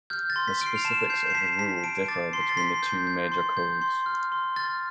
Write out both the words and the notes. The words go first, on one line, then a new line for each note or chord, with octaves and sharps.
The specifics of the rule differ between the two major codes.
F6 G6
A6
C6
B6
F6 D7
C7
F7
A5 E7
G6 C7
C7
A5 B6
A5 B6
A5 D7
D6 A6
C6 C7
B6
A6
C6 B6
G6
G6
C6
G6
C6
F6
C6
F6 A6